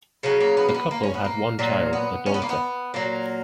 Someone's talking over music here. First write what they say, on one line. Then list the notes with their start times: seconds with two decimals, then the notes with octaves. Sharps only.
The couple had one child, a daughter.
0.23 C#3 F#3 C#4
0.40 A#3
0.57 B3
0.68 A#3
0.74 B3
0.91 A#3
1.03 C#4
1.14 B3
1.25 A#3
1.59 A#2 F#3 A#3
1.93 B3
2.26 C#4
2.34 B3
2.42 A#3
2.49 B3
2.94 A#2 F#3 A#3